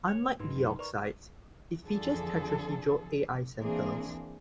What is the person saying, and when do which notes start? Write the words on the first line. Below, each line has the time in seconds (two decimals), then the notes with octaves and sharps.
Unlike the oxides, it features tetrahedral Al centers.
0.08 C#5
0.40 G#2 F#3 D#4 B4 C6
0.55 F#2 D#3 A3
0.79 A#4 B4 D5 C#6
1.85 F2 D3 E3 F3 G#4 A4
3.60 E3 A#3 C4 D4 G#4